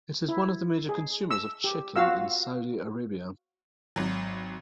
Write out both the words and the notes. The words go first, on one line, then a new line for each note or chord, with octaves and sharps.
It is one of the major consumers of chicken in Saudi Arabia.
E4
G#4
E6
G4
F4 F#4 F5 E6
G#1 F#3